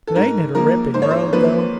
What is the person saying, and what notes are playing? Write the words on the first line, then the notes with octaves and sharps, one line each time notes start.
But ain't it a ripping road, though?
A4
G#2 A#4
F3 A#3 A#4
G#2 C5
C#5
C5
F3 A#3 B4